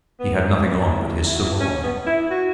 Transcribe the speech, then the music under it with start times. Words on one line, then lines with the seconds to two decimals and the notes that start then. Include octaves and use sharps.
He had nothing on but his sarong.
0.20 B3
0.91 E4
1.25 E4
1.34 F#4
1.43 E4
1.60 C#4
1.83 B3
2.07 E4
2.31 F#4